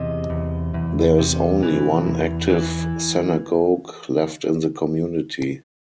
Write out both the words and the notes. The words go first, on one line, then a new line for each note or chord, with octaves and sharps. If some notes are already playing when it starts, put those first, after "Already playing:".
There is only one active synagogue left in the community.
Already playing: E2 C3 D#5
E2
E2
C3
E3
E2
E3